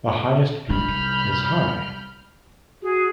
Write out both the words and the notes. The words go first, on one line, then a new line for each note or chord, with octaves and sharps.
The highest peak is high.
C2 D#4 B5 F6 G6
F#4 G#4